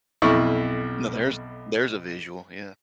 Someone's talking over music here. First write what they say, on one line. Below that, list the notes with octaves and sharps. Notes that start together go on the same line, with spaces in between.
Now there's there's a visual, yeah.
B1 F2 E4 C#6